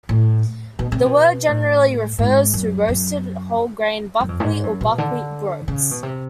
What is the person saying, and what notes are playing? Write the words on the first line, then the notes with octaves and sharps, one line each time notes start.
The word generally refers to roasted whole-grain buckwheat or buckwheat groats.
A2
B2
C3
B2
A2
G#2
F#2
F#2
F#2
F2
A2
G#2
F#2
B2
D3
C#3
B2
C3